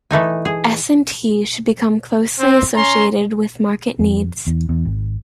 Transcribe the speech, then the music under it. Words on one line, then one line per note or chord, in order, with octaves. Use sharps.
S and T should become closely associated with market needs.
E3 A3 D#4 G#5
G#4
C4
C#4 A#5 C6
F2
E2
E2
G#1